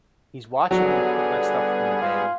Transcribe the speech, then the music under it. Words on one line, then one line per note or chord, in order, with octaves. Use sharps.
He's watching me put my stuff in the bin,
D3 F#3 G3 B3 G#4
F4